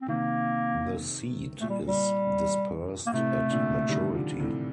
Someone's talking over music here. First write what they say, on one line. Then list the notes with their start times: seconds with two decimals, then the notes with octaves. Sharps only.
The seed is dispersed at maturity.
0.02 C4
0.08 C3 D#3 A#3
1.61 A#2 A3
1.70 G3
1.88 G3
3.07 A#3
3.12 A2 C3 A3
3.50 A#2 D3
3.89 D#3 G3
4.14 D3 F3
4.39 A2 C3